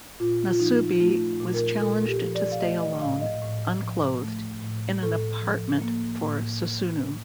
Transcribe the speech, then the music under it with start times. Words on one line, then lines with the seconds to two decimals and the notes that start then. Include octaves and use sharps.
Nasubi was challenged to stay alone, unclothed, in an apartment for Susunu!
0.20 A#2 F4
0.50 F4
0.60 F3 D#4
1.00 A3 F4
1.40 A#2
1.54 A#4
1.80 A#2 A4
2.08 G4
2.21 F3
2.35 D5
2.52 F5
2.61 A3 D#5
2.81 D#5
3.01 A2 F5
3.21 D#5
3.41 A2
3.81 F3
4.21 A3
4.62 A2
5.03 A2 A4
5.42 F3
5.82 A#3
6.22 A2